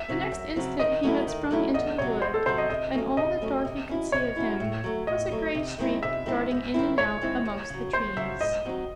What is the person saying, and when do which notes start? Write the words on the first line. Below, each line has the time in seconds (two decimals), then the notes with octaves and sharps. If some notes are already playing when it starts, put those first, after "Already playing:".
The next instant he had sprung into the wood, and all that Dorothy could see of him was a gray streak darting in and out amongst the trees.
Already playing: E5
0.08 C#3 F#3 C4
0.32 F#2
0.56 C#3 F#3 C4
0.79 D#3 D#5
1.03 F#3 A3 C#4 E4
1.27 D#3
1.51 F#3 A3 C#4 E4
1.74 E2 D#5
1.98 C3 F#3 C#5
2.22 E2 C5
2.34 A4
2.46 C3 F#3 C5
2.58 D#5
2.70 C3 D#5
2.93 F#3 A3 C#4
3.17 C3 D#5
3.42 F#3 A3 C#4
3.65 C3
3.89 F#3 C#4 E4
4.12 C3 C#5
4.37 F#3 C#4 E4
4.60 A2
4.84 F#3 A3
5.07 A2 D#5
5.31 F#3 A3
5.55 C3
5.78 D#3 G#3 C4 E4
6.03 C3 E5
6.26 D#3 G#3 C4 E4
6.51 G#2
6.74 D#3 G#3 C4 E4
6.98 G#2 C#5
7.21 D#3 G#3 C4 E4
7.45 D#2
7.69 C#3 F#3
7.93 D#2 C5
8.17 C#3 F#3 E5
8.41 G#2 D#5
8.65 D#3 F#3 C4 D#4